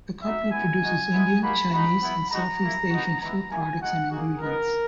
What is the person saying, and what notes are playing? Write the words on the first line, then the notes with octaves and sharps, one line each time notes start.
The company produces Indian, Chinese and South East Asian food products and ingredients.
B3 D#4 F#4 E5
B3 E4 G#5
G#3 D#4 F#4
G#3 B3 E4
A#3 D#4 F#4 B5
G#3 D#4 F#4 B5
B3 E4
G#3 D#4 F#4 A#5
A#3 E4
B3 D#4 F#4
G#3 B3 E4 A#5
A#3 E4 G#5
G#3 D#4 F#4 F#5
A#3 D#4 F#4 G#4
G#3 B3 D#4 A#4